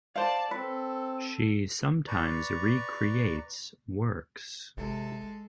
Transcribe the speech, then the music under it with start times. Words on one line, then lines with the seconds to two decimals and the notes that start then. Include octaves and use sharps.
She sometimes re-creates works.
0.15 C5 D5 F5 A5
0.51 C4 A4 B4
2.08 B4 D5 A#5 C#6
4.77 G#1 C3 G#3 A4